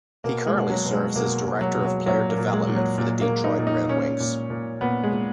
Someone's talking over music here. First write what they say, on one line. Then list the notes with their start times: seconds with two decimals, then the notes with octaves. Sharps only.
He currently serves as Director of Player Development for the Detroit Red Wings.
0.24 B2 A#3
0.47 G#3
0.55 B2
0.70 F#3
0.86 B2
0.92 G#3
1.16 B2 A#3
1.46 B2
1.61 F#3
1.76 B2
1.85 F#3
2.06 A#2 F#3
2.29 A#3
2.38 A#2
2.53 G#3
2.68 A#2
2.75 F#3
2.98 A#2
3.21 A#3
3.29 A#2
3.44 D#4
3.59 A#2
3.67 D#4
3.89 A#2 C#4
4.20 A#2
4.50 A#2
4.81 A#2 B3
5.03 G#3
5.12 A#2